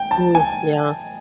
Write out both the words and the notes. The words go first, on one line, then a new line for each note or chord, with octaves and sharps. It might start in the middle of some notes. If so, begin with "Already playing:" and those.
Mm, yeah.
Already playing: G5
A5
G#5